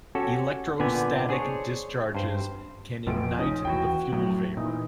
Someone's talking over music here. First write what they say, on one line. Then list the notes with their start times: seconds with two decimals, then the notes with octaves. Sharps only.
Electrostatic discharges can ignite the fuel vapor.
0.15 C#4 F#4 G4 A4
0.79 A#2 D3 B3 D5 G5 G#5
1.29 D4 G#4 C5 C#5
2.15 G2 C5
3.07 F1 A#1 B2 F3 A3 D7
3.38 C#4 D#4
3.65 D#2 E3 F#4 G5
4.12 A2 F#3
4.57 A#2 E3 D#4